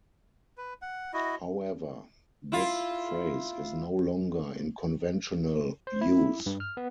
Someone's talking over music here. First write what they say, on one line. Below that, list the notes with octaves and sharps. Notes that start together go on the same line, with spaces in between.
However, this phrase is no longer in conventional use.
B4
F#5
E4 F#4 D#5
E4 F4
C5
E4
G2
F6
B3